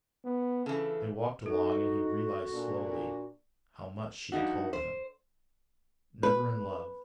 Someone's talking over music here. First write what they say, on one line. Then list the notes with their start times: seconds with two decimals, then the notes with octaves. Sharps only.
They walked along, and he realized slowly how much she had told him... never in love....
0.24 B3
0.66 C#3 E3 A4
1.46 D#4 F#4 A4
2.52 A#2 D4
4.32 G2 F3 D#4 F#4
4.73 C5
6.23 B4